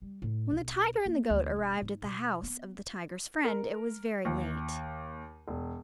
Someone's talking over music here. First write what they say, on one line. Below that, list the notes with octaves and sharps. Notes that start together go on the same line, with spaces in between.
When the tiger and the goat arrived at the house of the tiger's friend it was very late.
G3
A2
B1
A#3
D2
E1
G#2
B2
B3
A#4
D#2
E1